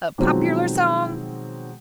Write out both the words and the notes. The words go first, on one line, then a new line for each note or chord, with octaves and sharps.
"A popular song?"
B2 D#3 F3 F#3 G#3 C4